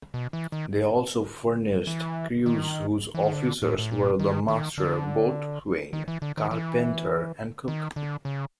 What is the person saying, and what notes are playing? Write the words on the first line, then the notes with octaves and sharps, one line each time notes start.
They also furnished crews whose officers were the Master, Boatswain, Carpenter and Cook.
B2
E3
D#3
E3
D#3
E3
D#3
D3
A2
A2
A#2
D#3
D#3
D3
D#3
E3
D3
D#3
E3
D#3
D3
C#3